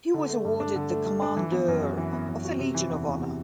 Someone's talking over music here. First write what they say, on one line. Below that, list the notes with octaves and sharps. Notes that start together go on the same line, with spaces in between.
He was awarded the Commandeur of the Legion of Honour.
D3
A3
G2
D4
D3
A3
G2
D4
E3
B3
F#2
F#4
E3
B3
F#2
F#4
C3
E3
E2
E2
C3